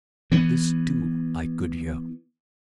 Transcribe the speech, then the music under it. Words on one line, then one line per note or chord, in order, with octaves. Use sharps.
This, too, I could hear.
E3 B3